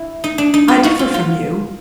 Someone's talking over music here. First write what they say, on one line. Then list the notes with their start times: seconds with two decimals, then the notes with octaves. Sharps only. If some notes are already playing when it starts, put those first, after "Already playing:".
I differ from you.
Already playing: E4
0.24 D#4
0.38 D4
0.54 D#4
0.68 F4
0.84 F#4
0.99 F4
1.14 F4